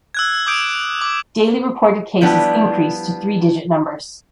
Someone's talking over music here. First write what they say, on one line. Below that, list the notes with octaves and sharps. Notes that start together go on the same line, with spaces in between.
Daily reported cases increased to three digit numbers.
E6 F#6 G#6
D6 D#6 G6 D7
D6
F3 G3 B3 D4 E4